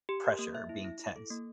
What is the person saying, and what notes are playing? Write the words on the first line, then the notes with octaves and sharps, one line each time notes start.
pressure, being tense?
G4
A#4
A#3
E5
E4
E4
E4
A4
A#3